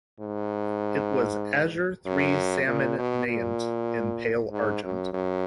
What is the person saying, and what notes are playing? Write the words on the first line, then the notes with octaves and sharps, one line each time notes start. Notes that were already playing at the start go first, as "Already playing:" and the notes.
It was "Azure three salmon naiant in pale argent".
G#2
F#2
A#2
B2
A#2
G#2
F#2
F#2